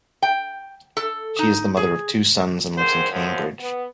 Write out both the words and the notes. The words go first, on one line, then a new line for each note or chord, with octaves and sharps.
She is the mother of two sons and lives in Cambridge.
G5
A4
D#4
G#4
G#2 D3 D#3 A#3 C5
F#2 B2 F3
B3